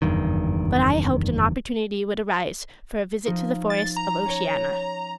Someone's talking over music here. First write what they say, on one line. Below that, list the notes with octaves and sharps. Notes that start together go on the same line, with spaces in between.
But I hoped an opportunity would arise for a visit to the forests of Oceania.
F#1 E2 G2 D#3
F3 D#4
A6
A#5
C#4 C#5